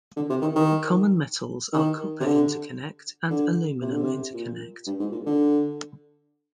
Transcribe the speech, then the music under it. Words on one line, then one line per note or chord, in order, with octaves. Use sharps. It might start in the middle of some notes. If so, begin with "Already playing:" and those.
Common metals are copper interconnect and aluminum interconnect.
D3
C3
D#3
D#3
D#3
C3
D3
D3
C3
D3
C3
A#2
G2
G#2
A#2
D3